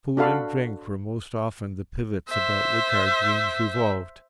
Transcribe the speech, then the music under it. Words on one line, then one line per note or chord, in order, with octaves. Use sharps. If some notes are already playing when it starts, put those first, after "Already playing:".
Food and drink were most often the pivots about which our dreams revolved.
D4 F#4 A4 F5 B5
C5 E5